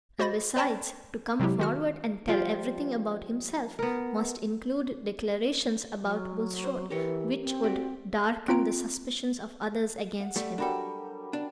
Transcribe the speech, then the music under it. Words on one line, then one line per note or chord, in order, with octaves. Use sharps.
And besides, to come forward and tell everything about himself must include declarations about Bulstrode which would darken the suspicions of others against him.
F#4 C5 D#5 B5 A6 A#6
C5 D5 G5 A5 B5 A#6
C3 F#3 G#3 E4 G4
D#3 F#4 F6
F3 G3 F4
B3 A#4
F#3
C5
E3 G4 A#4 C#5
C4
F#4 G4 D5
C4 F4 A#5 D7
F#5
G3 A3
F#3 G3 D4 F#4 A4 A#4
D4